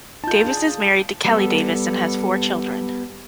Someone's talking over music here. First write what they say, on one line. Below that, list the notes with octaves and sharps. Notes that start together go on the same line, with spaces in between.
Davis is married to Kelly Davis and has four children.
D#4 F4 A5 G6
D4 G#4
G3 B3 A4